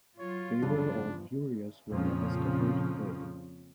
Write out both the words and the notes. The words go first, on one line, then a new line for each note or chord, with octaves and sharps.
They were all furious when the escapade failed.
F#3 F4 C#5
E2 G2 C#3 F3 D4
F2 A#2 C#3 F3